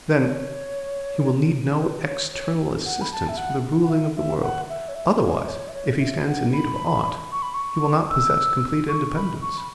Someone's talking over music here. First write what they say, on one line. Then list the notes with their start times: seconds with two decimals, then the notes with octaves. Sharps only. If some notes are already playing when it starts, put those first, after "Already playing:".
'Then, He will need no external assistance for the ruling of the world. Otherwise, if He stands in need of aught, He will not possess complete independence.'
0.19 B4
0.22 C#5
1.80 B4
2.07 C#5
2.33 C#5
2.86 F#5
3.01 B5
3.12 A5
3.29 E5
3.38 F#5
3.83 F#5
3.90 E5
4.16 E5
4.43 F#5
4.69 E5
4.89 C#5
4.95 E5
5.22 C#5
5.43 E5
5.48 C#5
5.68 E5
5.74 C#5
6.00 E5
6.27 F#5
6.53 B5
7.32 C#6
7.42 B5
7.54 C#6
8.10 E6
8.89 C#6
9.16 B5
9.42 C#6
9.57 B5